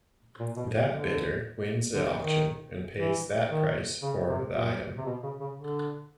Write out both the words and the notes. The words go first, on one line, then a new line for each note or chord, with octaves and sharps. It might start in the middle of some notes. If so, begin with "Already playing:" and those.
That bidder wins the auction and pays that price for the item.
A#2
B2
D3
D3
D#3
E3
D#3
C#3
C3
A#2
C3
B2
C#3
C#3
D3